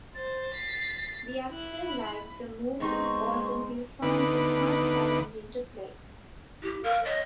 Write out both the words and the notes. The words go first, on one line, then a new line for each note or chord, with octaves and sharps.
The actor liked the movie although he found the part challenging to play.
C5 A6
B6 C7
E4 F#6
B5
D#3 G#3 B3 C4 D#4 C6 C#6
D2 D#3 B3 B4 D6
E4 G4
A#4 F5
C#5 D#5